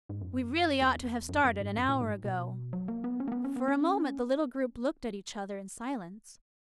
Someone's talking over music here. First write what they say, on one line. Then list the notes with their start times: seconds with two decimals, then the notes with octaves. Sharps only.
"We really ought to have started an hour ago." For a moment the little group looked at each other in silence.
0.09 G#2
0.21 F#2
0.81 E2
1.29 F#2
1.45 F#2
1.61 G#2
1.77 F#2
1.89 A#2
2.01 G#2
2.25 B2
2.73 F#3
2.88 A#3
3.04 B3
3.20 C#4
3.28 A#3
3.32 B3
3.44 C#4
3.56 B3
3.68 C#4